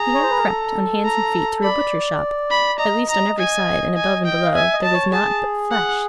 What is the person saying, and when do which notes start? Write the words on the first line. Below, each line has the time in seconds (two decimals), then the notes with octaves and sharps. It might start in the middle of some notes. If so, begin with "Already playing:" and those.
He now crept on hands and feet through a butcher's shop; at least on every side, and above and below, there was nought but flesh.
Already playing: G#4 A#5
0.14 C#5
0.23 C5
0.31 B4
0.38 A#4
0.47 A4
1.05 A#5
1.63 D5 B5
2.51 B5
2.79 D#5 A#5
3.09 A#5
3.38 G#5
3.97 G#5
4.26 G5
4.45 F5
4.54 E5 G#5
4.74 D#5
4.83 A5
4.93 C#5
5.12 G#4 A5
5.71 F#5